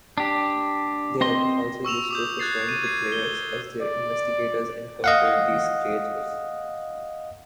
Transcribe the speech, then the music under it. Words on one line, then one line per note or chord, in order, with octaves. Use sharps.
They are also useful for showing to players as their Investigators encounter these creatures.
D4 G4
C4 D#5 C6
C#6 E6 E7 F7
D6 D#6 G6
F#6 G#6 A6 C7
D#7
G#6 C7
G7
D5
D#5 F5 F#5